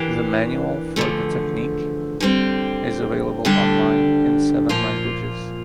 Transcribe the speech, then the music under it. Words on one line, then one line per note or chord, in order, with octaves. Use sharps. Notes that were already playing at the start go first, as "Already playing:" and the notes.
The manual for the technique is available online in seven languages.
Already playing: E3 A#3 D4 G4
E2 D3 F3 A3
D3 G3 C4
D2 D3 G3 D4 G4
A#2 F3 A#3 F4